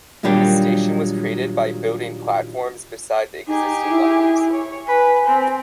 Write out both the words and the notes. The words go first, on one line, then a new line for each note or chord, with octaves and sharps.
The station was created by building platforms beside the existing lines.
A#2 D#3 F#3 G3 D4 G4
D#4 G4 G#4
E4
C#5
B4 G#5
C4